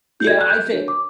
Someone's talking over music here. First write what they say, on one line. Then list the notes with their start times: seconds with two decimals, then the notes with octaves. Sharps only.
Yeah, I think
0.20 G6
0.27 F#4 A4 D5 G#6
0.41 F#6
0.50 G6
0.73 D4 F#4 A#4 C#5
0.88 D6